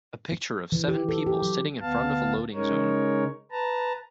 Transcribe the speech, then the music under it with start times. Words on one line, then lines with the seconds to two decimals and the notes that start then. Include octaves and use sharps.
A picture of seven people sitting in front of a loading zone.
0.72 E3
0.88 G4
1.09 A4
1.26 G4
1.42 F#3
1.81 D2 B3 F5 A5
2.54 C#3 G#3 D#4 A#4 C#5
3.52 B4 A5 A#5